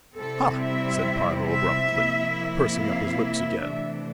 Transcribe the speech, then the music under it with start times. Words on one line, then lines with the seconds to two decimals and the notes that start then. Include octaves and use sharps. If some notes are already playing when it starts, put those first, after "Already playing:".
"Ha!" said Piero, abruptly, pursing up his lips again.
0.17 C3 G3 C4 E4 A4
0.61 E5
1.49 E5
1.93 C3 F3 A#3 E4
2.80 F5
3.23 E5
3.68 C3 E3 A3 D4